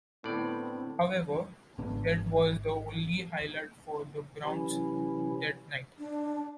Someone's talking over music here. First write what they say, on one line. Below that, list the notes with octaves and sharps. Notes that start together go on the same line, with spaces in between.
However, that was the only highlight for the Browns that night.
A2 D3 B3 C4 D5
G#1 B3 D4
C3 E3 F#3 C#4 E4
D4